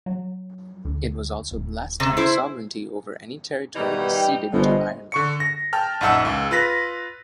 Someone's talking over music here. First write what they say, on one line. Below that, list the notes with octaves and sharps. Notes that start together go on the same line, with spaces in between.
It was also the last time sovereignty over any territory was ceded to Ireland.
F#3
D2
D#1
C3
E4 C5
B2 D#3 E3 G3 D#4
G5
G1 B2 D3 F3 C5 D#5
D3 C#6 C#7
A#6
G5 A5 F6
A#1 F#2 D#4 F#5 A5 E6
C#2
F4 B4 A#6 B6